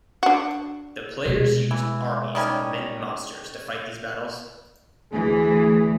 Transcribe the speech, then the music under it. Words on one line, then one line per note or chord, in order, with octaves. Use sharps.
The players use armies of men and monsters to fight these battles.
D4 F#4
B2 G#3
E3
D#3 G3 C#4
D2 E3 G#4